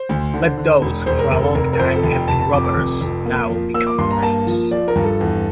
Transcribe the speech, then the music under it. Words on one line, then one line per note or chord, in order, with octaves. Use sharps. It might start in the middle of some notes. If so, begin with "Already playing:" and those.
Let those who for a long time, have been robbers, now become knights.
Already playing: C5
D2
D3
D3
E1
E1 C5
A#4
F1 A#4
A4
F1 A#4
A#4
F2 C5
A4
F1
G5
F1 A5
A5
F2 D6
D6
F1
F2
A#3
F3
A#3 E6
D6
G2 C6
A#5
A#3 A5
F3
F3 D5
A#4
G2
A4
E2